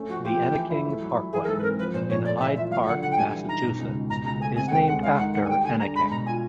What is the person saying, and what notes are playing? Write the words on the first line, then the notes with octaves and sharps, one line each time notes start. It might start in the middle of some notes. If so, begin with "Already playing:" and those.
The Enneking Parkway in Hyde Park, Massachusetts is named after Enneking.
Already playing: A3 C#4
F3 F#4
F4 G4
A3
E3
E4
A3
F#3
F#3
E3 G#4
A#4
G#2 A4
B4
C4 A#4
F3 B4
A#2 C5
A#2 C#5
A3 D5
E3 E5
F4 E5
F#3 F5
D3 F#5
D3 F#5
G5
G3 G#5
E3
D#4 A#5
B2
C#2
C#2
B2 A#5
C#2 A#5
A3 G#5
C3 G#5
F#5
D2 G5
G#3 F#5
G#3 F5
D#3 F#5
D#3 F#5
G#5
G3 G5
D3 G#5
D4 A#5
G#3 B5
B2 A#5
F4 G#5